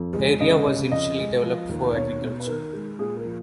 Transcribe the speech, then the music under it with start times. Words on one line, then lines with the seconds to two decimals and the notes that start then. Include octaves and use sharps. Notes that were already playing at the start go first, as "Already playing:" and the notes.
The area was initially developed for agriculture.
Already playing: F2
0.14 G#3
0.40 C#3 D#5
0.65 C#3
0.91 F2 D#5
1.18 G#3
1.43 F3
1.69 D#2
1.95 B2 C#5
2.22 B2
2.40 B4
2.47 D#3 A#4
2.73 G#3
2.99 A#2 G#4
3.16 A#4
3.25 F3